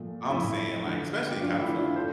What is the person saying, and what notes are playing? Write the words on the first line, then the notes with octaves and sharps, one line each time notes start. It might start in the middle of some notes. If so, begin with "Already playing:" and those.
I'm saying, like, especially in California,
Already playing: A#2 F3 A3
A2 F3 A3 E4
D3 F3 A3
G4
D3 F3 A3 D4 F4
E4 G4
D4 F4
A3 A4 C5